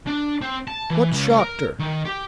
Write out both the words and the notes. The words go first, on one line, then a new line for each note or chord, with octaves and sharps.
"What shocked her?"
D4
C4
A5
E3
C#2
A#4
D#3
G4